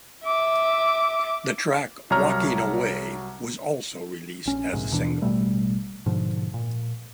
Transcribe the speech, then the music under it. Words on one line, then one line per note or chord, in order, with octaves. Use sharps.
The track "Walking Away" was also released as a single.
E5 D6
C2 F#3 C#5 A#5 F6
A#1 C#4
F1 A#1 G#2 C3
D#2 B2 E3 D4
A1 B2 G3 A3
G#2 B2 D3 F3
A#2